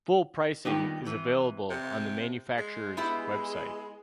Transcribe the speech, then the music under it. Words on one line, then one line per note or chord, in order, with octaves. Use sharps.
Full pricing is available on the manufacturer's website.
G2 A#2 D#3 G3 B3 G4
C3 E3
C3
G#3
B3 E4 G4